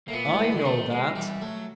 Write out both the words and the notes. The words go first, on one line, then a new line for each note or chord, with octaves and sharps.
"I know that."
A2 A#3
A#2 B3
A2
G#2
A2
D3 G#3
D#3 A3
G#3
E3 G3
F#3 A3